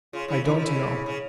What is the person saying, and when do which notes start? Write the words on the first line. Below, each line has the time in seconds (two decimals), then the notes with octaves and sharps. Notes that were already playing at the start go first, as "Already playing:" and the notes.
'I don't know.
0.13 C#3 F4
0.28 C#3 E4
0.44 E3 E4
0.54 F3
0.60 E4
0.65 C#3
1.06 C#3